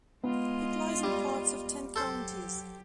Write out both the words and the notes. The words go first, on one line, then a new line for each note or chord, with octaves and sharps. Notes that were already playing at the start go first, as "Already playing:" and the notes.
It lies in parts of ten counties.
G#3 B3 F4 D#5
G3
F#3 G4 A4 C5